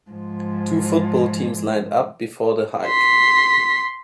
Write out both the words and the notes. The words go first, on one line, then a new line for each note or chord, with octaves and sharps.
Two football teams lined up before the hike.
G#2 F3
C6 B6